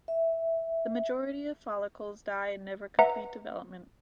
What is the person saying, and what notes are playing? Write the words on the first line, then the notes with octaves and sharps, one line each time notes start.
The majority of follicles die and never complete development.
E5
B4 E5 F#5 A#5